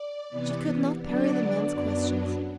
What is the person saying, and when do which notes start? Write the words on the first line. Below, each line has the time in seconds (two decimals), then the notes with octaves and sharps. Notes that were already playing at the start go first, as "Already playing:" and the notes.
She could not parry the man's questions.
Already playing: D5
0.29 C3 E3 B3
1.02 D3 F#3 B3 D4 D5
1.73 F#2 F#3 B3 D4